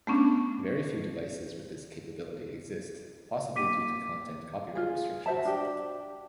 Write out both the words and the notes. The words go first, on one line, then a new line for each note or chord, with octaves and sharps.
Very few devices with this capability exist, possibly due to content copyright restrictions.
A3 B3 C#4 D4
A#3 G4 G5 D6 B6 D#7
F4 G#4
F#4 C5 E5 A5
D4 G4